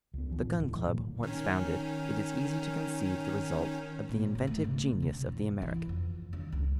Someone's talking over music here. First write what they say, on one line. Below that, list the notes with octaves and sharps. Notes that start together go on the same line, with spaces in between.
The Gun Club once founded, it is easy to conceive the result of the inventive genius of the Americans.
C#2 B3
C#2 E3 F3
A2 D3
D#1 B1 A2 D3
E3 F#3
A#2 A#3
D#3 C#4
A#2
G#1
A3
C#3
B2
E2
E3
F2
D#3
C#2